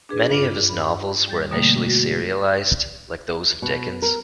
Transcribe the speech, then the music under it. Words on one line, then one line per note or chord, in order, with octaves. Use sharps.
Many of his novels were initially serialized, like those of Dickens.
D4 G#4 B4
G2 F4 D6
B5
G3 G6 A6
B2 D3 F3 G3 A3 A#3
F#4
B2
A#4